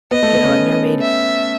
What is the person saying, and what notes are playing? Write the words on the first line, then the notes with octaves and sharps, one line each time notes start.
you know, I've never made
B3 D#5
A3
B3
C#4
E5